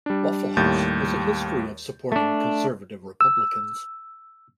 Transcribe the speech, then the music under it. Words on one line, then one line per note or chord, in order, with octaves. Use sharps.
Waffle House has a history of supporting conservative Republicans.
G3 D4
D#2 A2 G3 G6 A6
A3 D4
E6